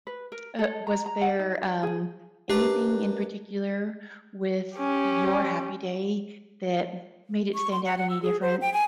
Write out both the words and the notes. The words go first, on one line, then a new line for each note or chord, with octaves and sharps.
Uh, was there, um, anything in particular with your Happy Day that made it stand out any different
B4
A#4
A4
A#5
A#5
F#5
D#4
D5
G#4
F#2 D4 G4 B4
C#4 G4
C#6
C6
F#5
F#5
E6
G#4
C5
G5
G#5